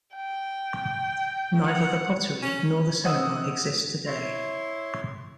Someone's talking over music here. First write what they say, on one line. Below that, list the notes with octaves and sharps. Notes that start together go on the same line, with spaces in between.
Neither the pottery nor the cinema exist today.
G5
F#5
C#4
C5 D#5 F#5 D#6 E6
E4 C#5 C6